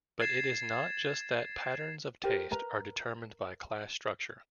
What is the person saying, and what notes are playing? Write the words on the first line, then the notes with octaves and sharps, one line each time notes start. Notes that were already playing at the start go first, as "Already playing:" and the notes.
But it is not just that patterns of taste are determined by class structure.
G#6 A6 C7 E7
G4 A#4 C5
A#4 B4 A#5